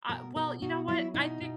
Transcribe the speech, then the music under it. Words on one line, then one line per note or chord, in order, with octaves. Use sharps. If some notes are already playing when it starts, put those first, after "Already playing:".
Ah, well, you know what? I think
B2 A#4
B2 A#4
B2 F#4
F#3 E4
B2 D#4
B2